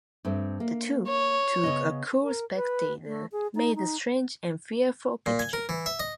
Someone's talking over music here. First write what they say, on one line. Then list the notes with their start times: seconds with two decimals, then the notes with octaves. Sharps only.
The two, to a cool spectator, made a strange and fearful picture.
0.25 G2 A3 C4
0.60 A#3
1.08 C#5
1.64 C#3 B3 D#5
2.22 A#4
2.56 B4
3.06 A3
3.32 G#4
3.55 D#4
3.75 D#4
5.26 A#2
5.39 G#5
5.53 A#4
5.69 E3
5.86 E5
6.00 D#5